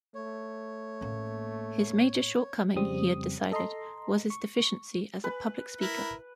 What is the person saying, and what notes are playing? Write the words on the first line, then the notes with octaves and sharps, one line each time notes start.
His major shortcoming, he had decided, was his deficiency as a public speaker.
A3 C#5
A1 A#3
F2 C#3 G3 C4 D#6
A4 D#5 A#5 C6
C#6
B4
E4 A#4